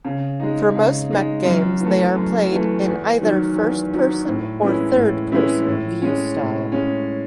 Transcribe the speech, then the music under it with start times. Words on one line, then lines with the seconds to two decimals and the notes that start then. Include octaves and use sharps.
For most mech games, they are played in either first-person or third-person view style.
0.05 C#3
0.40 G#3 D#4
0.75 C#3
1.11 G#3 D#4
1.45 F#2
1.80 E3 A3
2.15 F#2
2.51 E3 A3
2.86 E2
3.21 D#3 F#3
3.56 E2
3.91 D#3 F#3
4.27 A2
4.62 E3 G#3 C#4 E4
4.96 A2
5.32 E3 G#3 C#4 E4
5.67 A2
6.02 G#3 C#4
6.37 A2
6.72 G#3 C#4